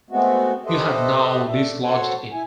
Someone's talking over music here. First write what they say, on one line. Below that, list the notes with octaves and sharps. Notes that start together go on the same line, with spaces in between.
You have now dislodged it.
G#3 A3 B3 C4 F#4
G4 A4 B4 C5 D#5 E5
A3 D4 E5
F#4 A4 C5 C#5 F#5
E4 G#5